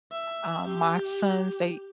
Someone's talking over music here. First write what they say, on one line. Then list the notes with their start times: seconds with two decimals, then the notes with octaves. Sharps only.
Um, my sons, they
0.12 E5
0.67 G4